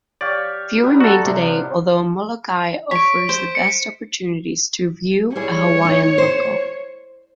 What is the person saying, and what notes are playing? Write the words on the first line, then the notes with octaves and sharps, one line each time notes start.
Few remain today, although Molokai offers the best opportunities to view a Hawaiian "loko".
G4 C#5 D5 F5
G3 B3 A#5
F#4 A4
C3 D4
F3
C#5 B6 D7
C5
C#7
G3 E4 G#4 C#5
D#4
C5